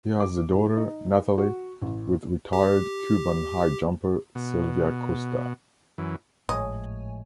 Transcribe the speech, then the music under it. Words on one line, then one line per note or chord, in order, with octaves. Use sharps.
He has a daughter, Nathalie, with retired Cuban high jumper Silvia Costa.
D6
A2
D#4
F#4
A1
G4
B2
F#2 E3
G#1 A2 F3 G#3 C#5 D#5 G#5